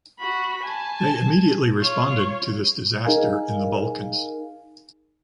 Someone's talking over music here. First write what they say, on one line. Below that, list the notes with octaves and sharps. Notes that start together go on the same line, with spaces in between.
They immediately responded to this disaster in the Balkans.
F#4 B5
G#5 A5
F4 C#5
D#4 G#4 A#4 F5 G#5